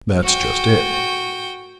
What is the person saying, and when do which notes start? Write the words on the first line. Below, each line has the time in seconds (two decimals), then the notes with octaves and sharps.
"That's just it."
0.23 F#4 G5